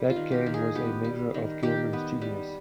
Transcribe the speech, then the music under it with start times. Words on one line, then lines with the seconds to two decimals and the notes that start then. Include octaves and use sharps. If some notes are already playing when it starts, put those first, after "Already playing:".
That game was a measure of Gillman's genius.
Already playing: G3
0.10 F4
0.16 D#3
0.32 G4
0.46 D#3
0.54 G#4
0.75 B3 G4
1.04 G3
1.34 D#3
1.63 D#3 G4
1.93 B3
2.22 G3